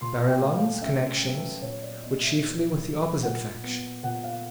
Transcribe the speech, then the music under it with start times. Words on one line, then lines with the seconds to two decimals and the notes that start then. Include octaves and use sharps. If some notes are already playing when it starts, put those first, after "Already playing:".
Barillon's connections were chiefly with the opposite faction.
0.01 A#2 C6
0.27 G5
0.41 A3
0.54 F5
0.81 C#4 E5
1.21 F#3
1.35 B4
1.62 A#2 C#5
1.82 D5
2.03 B3 D#5
2.22 E5
2.42 A#2
2.82 F#3
3.23 A#2 F#5
3.63 B3
4.03 A#2 F#5
4.24 F5